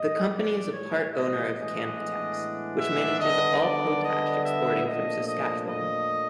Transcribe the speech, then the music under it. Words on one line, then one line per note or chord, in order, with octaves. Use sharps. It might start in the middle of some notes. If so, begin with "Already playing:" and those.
The company is a part-owner of Canpotex, which manages all potash exporting from Saskatchewan.
Already playing: A2 E3 G3 D#5
D5
C#5
D#5
A2 E3 G#3 B3 D4 D#5
E5
D3 G3 B3 D4 D#5
D5
D#5
E5
A#2 F3 A3 D4 D#5
D#5
D#5